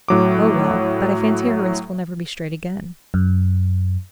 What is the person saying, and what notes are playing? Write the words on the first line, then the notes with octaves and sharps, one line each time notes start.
"Oh, well, but I fancy her wrist will never be straight again."
A2 F#3 D6
F#2